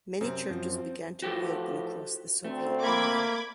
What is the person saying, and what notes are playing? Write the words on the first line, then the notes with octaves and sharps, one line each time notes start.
Many churches began to reopen across the Soviet Union.
F#2 C3 C4
F#2 F3
A2 E3 F3 F#4 G4 A4
D2 A3 C4
A#3 B5 D6 G#6